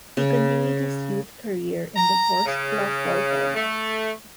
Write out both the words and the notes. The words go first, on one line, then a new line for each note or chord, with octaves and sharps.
He continued his youth career in the Vorskla Poltava.
C#3
A#5
C#3
A3